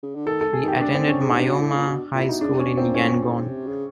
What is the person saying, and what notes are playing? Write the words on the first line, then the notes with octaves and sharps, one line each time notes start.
He attended Myoma High School in Yangon.
C#3
D3
D#3 A4
A4
G#4
D#3 G4
D4
D#3 C4
D3 C#4
C#3 D4
D#4
C3 D4
B2
A2
A#2
B2
A#2 E4
B2 D#4
C#3 D4
C3 C#4
B2
A#2 C4
A2 C#4
A#2
A2
G#2
C3
C#3